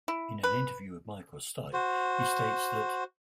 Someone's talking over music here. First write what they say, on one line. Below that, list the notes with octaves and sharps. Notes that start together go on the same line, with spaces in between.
In an interview with Michael Stipe, he states that: ...
E4
B4
F#4 C5